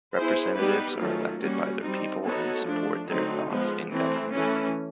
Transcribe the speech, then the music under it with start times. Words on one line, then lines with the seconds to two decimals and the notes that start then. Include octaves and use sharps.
Representatives are elected by the people and support their thoughts in government.
0.14 B3 E4 G#4 C5
0.56 G3 B3 D#4 G4 B4
0.99 D#3 F#3 A3 C#4 F4
1.40 G3 A#3 C#4 F#4
1.81 G3 C4 D#4
2.23 B3 D#4 F#4 A4 C#5
2.65 F3 A3 D4
3.07 D3 F#3 A3 C4 D#4
3.49 F3 G#3 B3
3.91 E3 A3 C4
4.31 E3 A3 C#4